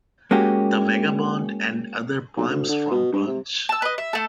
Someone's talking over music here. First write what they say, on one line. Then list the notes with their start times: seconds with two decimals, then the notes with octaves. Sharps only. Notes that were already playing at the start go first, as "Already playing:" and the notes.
"The Vagabond and Other Poems from Punch".
0.31 G#3 A#3 C#4 F#4 G4
2.37 B1
2.49 D2
2.68 D3
2.91 B2
3.13 G2
3.27 C3
3.69 A5 E6
3.82 B4 D#5
3.98 E5
4.13 A3 A4